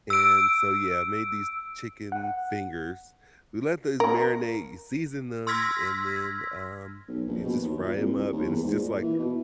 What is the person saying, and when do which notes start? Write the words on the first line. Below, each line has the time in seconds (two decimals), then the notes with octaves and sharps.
and so, yeah, made these chicken fingers. We let those marinate, you season them, and then, um, you just fry 'em up and it's just like re
0.10 E6 D7
2.12 F#5
4.00 A#4
5.47 C6 E6 F6 G#6 A#6 B6
7.08 B1
7.27 A#1
7.44 B2
7.61 D#2
7.82 A#2
7.97 C2
8.32 D#2
8.46 E2
8.63 G#2
8.76 A#2
9.02 E3
9.19 B2